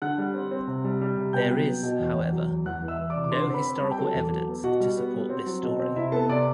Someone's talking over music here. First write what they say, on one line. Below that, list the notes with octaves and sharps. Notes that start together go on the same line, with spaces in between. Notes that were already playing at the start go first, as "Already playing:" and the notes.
There is, however, no historical evidence to support this story.
D3 F#5 F#6
G3
C4
C4
C3
G3
G3
C3
B3 G5 G6
F#3
B3
B2
E2
E2
F#3
E2
E2 F#5 F#6
E3
E5 E6
E3
D5 D6
C3
D6
D3 C5 C6
C4
B4 B5
C4
B5
G3 A5
G5
F#3 A4 A5
E2
F#3
B3
B2 F#4 F#5
G3
B3
G3
C4
F#3
B2
C4
C3 E4 E5
B3 A4 A5
C3 D5 D6